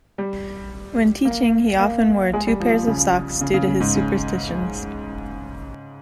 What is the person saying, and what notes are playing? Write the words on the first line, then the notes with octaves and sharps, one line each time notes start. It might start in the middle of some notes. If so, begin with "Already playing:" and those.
When teaching he often wore two pairs of socks due to his superstitions.
G3
A#3
A#3
G#3
G3
F3
F3
C#3
C#3
C#3
C#3
G#2
C#3